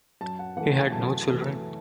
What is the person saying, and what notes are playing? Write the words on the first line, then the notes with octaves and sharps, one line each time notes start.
He had no children.
F#2 A5
F#5
E3 A3 F#5
A5
F#2 A5
E3 A3